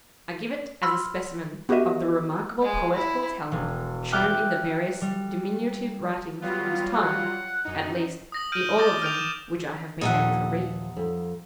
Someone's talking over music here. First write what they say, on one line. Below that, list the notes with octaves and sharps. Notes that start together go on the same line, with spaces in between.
I give it as a specimen of the remarkable poetical talent shown in the various diminutive writings of this time; at least, in all of them which I have been able to read.
B5 C6 E6 F6
B3 F#4 G4 A#4 D#5 E5
G#3
E4
E1
E5 G5 D6 F6 F#6
G3
F#3 G3 B3 F4
F#5
F#2 D#4
D#6 A#6 F#7
F6 G6 D7 D#7
D6 D#6 G6 A6 A#6 G7
F6 G6 D7 F7
D7 E7
D#2 A#2 F3 D#4 E5 F#5
F2